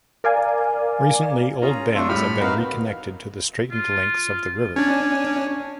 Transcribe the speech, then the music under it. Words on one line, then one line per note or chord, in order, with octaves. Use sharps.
Recently old bends have been reconnected to the straightened lengths of the river.
A#4 D5 F5 G#5
C#4 F4 G#4 A#5
C3 A3 D4 F4 A4
A2 G3 B5 F6
C4 D#4 F#4 A#4 B4 F5
F4
C#4 D4 G#5